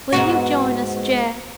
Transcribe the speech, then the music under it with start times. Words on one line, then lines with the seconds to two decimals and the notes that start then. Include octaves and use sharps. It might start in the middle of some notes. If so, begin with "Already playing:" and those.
"Will you join us, Jack?"
0.12 G#2 B3 F#4